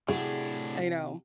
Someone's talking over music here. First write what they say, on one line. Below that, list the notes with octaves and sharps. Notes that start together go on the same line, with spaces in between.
I know.
A2 C3 D4 E4 F#4 G#4